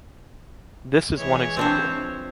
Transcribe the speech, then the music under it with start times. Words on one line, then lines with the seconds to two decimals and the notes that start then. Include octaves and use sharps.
This is one example.
1.18 E3 G#3 C#5
1.57 C4 D4 C5
1.96 F3